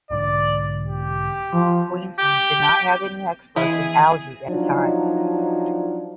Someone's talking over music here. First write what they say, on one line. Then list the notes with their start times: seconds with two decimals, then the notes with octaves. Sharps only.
Queensland did not have any experts in algae at the time.
0.11 B1 G#2 D3 D5
0.86 G4
1.53 F3
2.19 G4
3.56 E3 E4 G#4 C5 D#5 B5
4.49 F3 F#3 D4 D#4